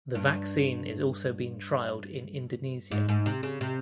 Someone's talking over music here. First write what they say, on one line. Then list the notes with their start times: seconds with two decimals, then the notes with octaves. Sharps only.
The vaccine is also being trialed in Indonesia.
0.15 G2
2.91 G#2
3.09 G#2
3.26 C3
3.43 C#3
3.61 C3